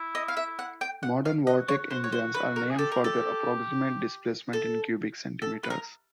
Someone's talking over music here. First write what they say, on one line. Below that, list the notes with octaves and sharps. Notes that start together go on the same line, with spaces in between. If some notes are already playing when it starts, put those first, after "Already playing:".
Modern Vortec engines are named for their approximate displacement in cubic centimetres.
Already playing: E4
D#5
F5
E5
F#5
G5
F#5
F5
F#4 D#5
C#5
F#4 C5
C#5
C5
B4
A#4
G#4
G4 A4
A#4
A4
A4
A4
B4
A#4